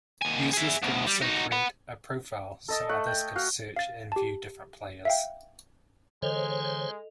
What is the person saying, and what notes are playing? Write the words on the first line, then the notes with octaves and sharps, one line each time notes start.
Users could also create a profile, so others could search and view different players.
D#2 G#5
G#4 E5
D2 B2
G3
D#4 F#4
F#5 B5
A4 D#5 A5
A3 F#5
G5
F#4 F5
F5 A6
G4 A5
E5 F5 G5
D3 E3 G#3 A4 C5 C#5 D#5 F7